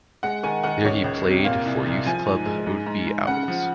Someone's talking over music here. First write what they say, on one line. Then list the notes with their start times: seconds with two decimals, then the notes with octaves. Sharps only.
There he played for youth club Oadby Owls.
0.23 G#3 F#5
0.43 D#3 G#5
0.63 D#3 F#5
0.84 C#2 C#5
1.04 C#2
1.25 C3
1.45 A#2 F5
1.65 C2
1.86 C2
2.06 F3 G#5
2.26 G#2
2.46 G#3
2.67 G#2
2.87 G#2
3.07 G#2
3.27 C#3 F#5
3.48 F3